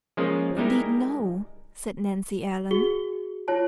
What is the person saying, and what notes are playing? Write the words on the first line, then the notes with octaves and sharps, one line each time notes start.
"Indeed, no!" said Nancy Ellen.
F3 G#3 A#3 C#4 F4 G#4
G3 G#3 D#4 E4 A#4
F#4 G#4 G7
F4 C#5 A5